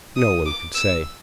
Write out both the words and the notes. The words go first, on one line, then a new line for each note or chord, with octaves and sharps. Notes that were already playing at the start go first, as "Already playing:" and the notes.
No one could say.
D#6
D6
E6